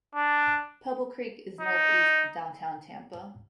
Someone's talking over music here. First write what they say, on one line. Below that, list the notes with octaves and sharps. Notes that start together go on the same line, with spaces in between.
Pebble Creek is northeast of downtown Tampa.
D4
D#4